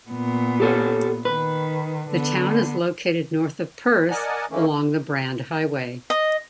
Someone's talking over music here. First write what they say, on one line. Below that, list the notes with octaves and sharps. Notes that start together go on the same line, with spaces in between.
The town is located north of Perth along the Brand Highway.
A#2 B3
G4 A4 C#5
D#3 B4
D3 B3
A#4 D5 D#5 F#5 G#5 A5
D#3 E3 A3 A#3 C#4
D#5